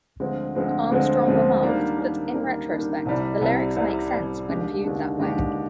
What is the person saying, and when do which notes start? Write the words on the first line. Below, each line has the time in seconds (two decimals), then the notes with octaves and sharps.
Armstrong remarked that, in retrospect, the lyrics make sense when viewed that way.
0.20 D2 D3 F3 G#3 C4
0.55 D2 D3 F3 G#3 C4
0.91 D2 D3 F3 G#3 C4
1.27 D2 D3 F3 G#3 C4
1.62 D#3 G3 A#3 D4
1.98 D#3 G3 A#3 D4
2.34 D#3 G3 A#3 D4
2.69 D#3 G3 A#3 D4
3.05 C2 C3 G3
3.41 C2 C3 G3
3.76 C2 C3 G3
4.12 C2 C3 G3
4.47 D#2 D3 G#3 D4 G4
4.84 D#2 D3 G#3 D4 G4
5.19 D#2 D3 G#3 D4 G4